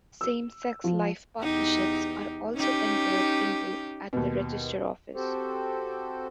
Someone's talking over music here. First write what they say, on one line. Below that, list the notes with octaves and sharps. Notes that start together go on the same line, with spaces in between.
Same sex "life partnerships" are also entered into at the register office.
E6
F3
E2 D#4 G4
C#4 D#4 G4
D#2 B2
C4 F#4 G4 A4 C5